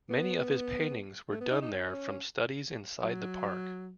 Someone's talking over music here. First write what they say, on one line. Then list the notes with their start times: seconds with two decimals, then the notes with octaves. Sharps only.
Many of his paintings were done there from studies inside the park.
0.10 B3
1.31 A3
1.41 B3
1.51 D#4
1.61 D#4
1.73 C#4
3.02 F#3